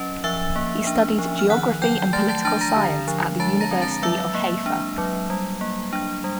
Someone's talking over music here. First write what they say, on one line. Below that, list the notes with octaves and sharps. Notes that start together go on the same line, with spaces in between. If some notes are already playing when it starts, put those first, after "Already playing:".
He studied geography and political Science at the University of Haifa.
Already playing: F#3 C#4 D#5
F3 E5 E6
A#3
D4
F3
F6
D#3 F#5 F#6
F#3 G5 G6
A3 A5 A6
A5 A6
D4 A5 A6
A#5 A#6
D3
F3
G#3 A5 A6
A#5 A#6
C4
A5 A6
F#3 E5 E6
A#3
D4
F#3
G3
A#3
D4
G3